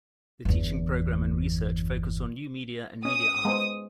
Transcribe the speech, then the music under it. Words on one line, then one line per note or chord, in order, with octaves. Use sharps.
The teaching programme and research focus on new media and media art.
G1 E2
C#4 D#6
G#3 B3 C5